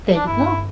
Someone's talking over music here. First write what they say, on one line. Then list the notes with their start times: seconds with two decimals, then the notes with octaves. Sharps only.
There you go.
0.16 D4
0.27 G1 E4